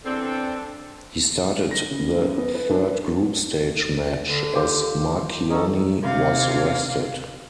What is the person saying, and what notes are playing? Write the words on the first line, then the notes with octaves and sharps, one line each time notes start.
He started the third group stage match, as Marchionni was rested.
E2 C4 D4 A4
A#6
C#3
F#2
B3
B4
D4
B4
D3
F4 G4
C#4 D#4 A4
C3 F5